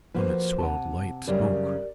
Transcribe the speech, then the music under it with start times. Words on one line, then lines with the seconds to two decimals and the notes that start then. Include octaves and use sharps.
From it swelled light smoke.
0.15 F3 A#3 F#4 B4
0.59 C3 F#5 A5
1.28 F#2 C#3 G3 G4 A#4 D5